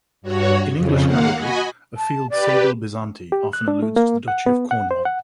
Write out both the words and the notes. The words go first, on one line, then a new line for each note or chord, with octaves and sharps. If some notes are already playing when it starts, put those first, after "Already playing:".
In English heraldry, a field "sable bezanty" often alludes to the Duchy of Cornwall.
G2 F#4 C#5
F2 C#3
D#2 A#3 F5 F#5
F#4 D#5 G#5 B5
A5
G4 B4 D5
G4
F#6
D4
A3
A#3
F#5
B3
F#5
C5
F#5